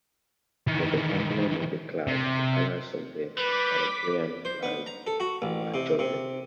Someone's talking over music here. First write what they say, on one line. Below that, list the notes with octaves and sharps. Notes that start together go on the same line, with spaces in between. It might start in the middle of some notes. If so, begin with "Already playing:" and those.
For the emblem of the club, the colors of the Paraguayan flag were chosen.
D#3 E3
C3
G3 B4 D6 B6
C5
B3
A#5
A4
F#4
A1
C3
C3